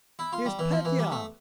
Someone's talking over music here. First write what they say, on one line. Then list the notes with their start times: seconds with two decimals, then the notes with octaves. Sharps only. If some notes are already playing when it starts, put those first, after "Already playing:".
Here is Petya!
0.19 E4
0.33 F4
0.46 G3
0.59 E3
0.72 F3
0.85 E3
0.99 G3
1.12 A3